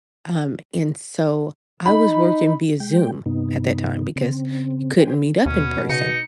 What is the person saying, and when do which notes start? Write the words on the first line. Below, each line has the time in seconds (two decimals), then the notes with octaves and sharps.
Um, and so I was working via zoom at that time because you couldn't meet up in person
1.86 D#4 B5
2.80 G#3 G5
3.26 G2 C3 B3 D#4
4.16 C#3 C4
4.99 B4 C5 G5 G#5
5.46 D#2 B2 C#4
5.89 C#3 D#4 C#7